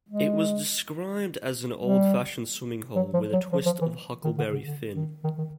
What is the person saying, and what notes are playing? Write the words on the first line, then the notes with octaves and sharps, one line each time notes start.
It was described as an "old-fashioned swimming hole" with "a twist of Huckleberry Finn".
G#3
G3
F#3
F3
F#3
F3
F3
E3
D#3
D3
C#3
D3
D#3
D#3
D#3